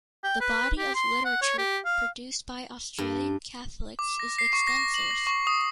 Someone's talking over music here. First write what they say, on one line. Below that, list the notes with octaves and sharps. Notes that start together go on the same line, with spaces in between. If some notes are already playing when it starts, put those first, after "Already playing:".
The body of literature produced by Australian Catholics is extensive.
G5
B4
G4
C6
F#5
C#5
G4
F5
G2
D6
A#6
C7
C#6
A#6
F#7
A#6
C#6
D#6